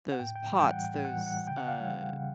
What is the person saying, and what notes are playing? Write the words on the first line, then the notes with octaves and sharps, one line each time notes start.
those pots, those, uh,
F#5
A2 G5
G5
E3 G3
G5
F#5
A2 G5
F#5
E3 G3
F#5
C#3 G5
F#5
F5
E3 G3 F#5
C#3